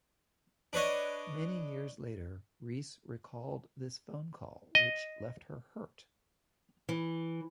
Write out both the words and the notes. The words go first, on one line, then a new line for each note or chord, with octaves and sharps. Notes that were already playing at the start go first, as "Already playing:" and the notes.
Many years later, Reis recalled this phone call, which left her hurt.
D4 B4 C#5 D#5
D#5
E3